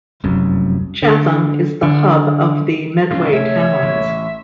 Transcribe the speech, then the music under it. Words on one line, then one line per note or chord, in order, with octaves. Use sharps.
Chatham is the hub of the Medway Towns.
F1 C2 F#2
D3
D3
G#2 C3 C#4 F4
F1 A3 C#5 E5
A1